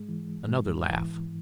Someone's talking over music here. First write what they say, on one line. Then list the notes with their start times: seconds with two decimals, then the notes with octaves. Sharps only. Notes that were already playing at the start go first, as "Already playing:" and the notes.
Another laugh.
Already playing: G#2 G#3
0.09 E3
0.48 G#2
0.90 E3